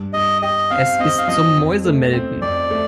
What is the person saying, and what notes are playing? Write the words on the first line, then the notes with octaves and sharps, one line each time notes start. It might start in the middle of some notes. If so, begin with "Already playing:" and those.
Es ist zum Mäusemelken.
Already playing: G2
G2 D#5
G4 D#5
C4 F5
C4 D#5
F5
F3 D#5
F2
A3
C4
F2 D5
A3